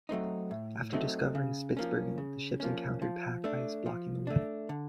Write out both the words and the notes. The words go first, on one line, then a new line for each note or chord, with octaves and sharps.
After discovering Spitsbergen, the ships encountered pack ice blocking the way.
F#3 A3 C4 D#4
A2
F#3 A3 C4 D#4
C#3
F3 A#3 C#4
C#3
F3 A#3 C#4
F3
A3 D4
F3
A3 D4
D3